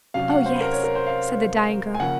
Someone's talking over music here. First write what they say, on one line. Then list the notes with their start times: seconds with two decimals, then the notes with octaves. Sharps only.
"Oh, yes," said the dying girl.
0.14 C3 F#3 C#4 F5
0.30 F#5
0.46 C5
0.61 A#4
0.73 C#5
0.84 A#4
0.95 C5
1.07 F5
1.94 G#5
2.00 C#3 F3 A#3 C#4 F#5